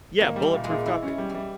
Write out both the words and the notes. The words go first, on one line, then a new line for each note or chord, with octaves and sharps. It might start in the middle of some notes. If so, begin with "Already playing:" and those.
Yeah, bulletproof coffee.
D#3 A#3
G3
E3
A#2
E3 G#3
A#2
E3 E4
C#4
E3
G3
E3
G3